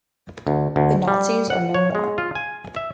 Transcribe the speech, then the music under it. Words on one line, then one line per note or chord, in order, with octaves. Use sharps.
The Nazis are no more.
D2
D2
G3
F#5
C#5
G#3
F4
G#5
E5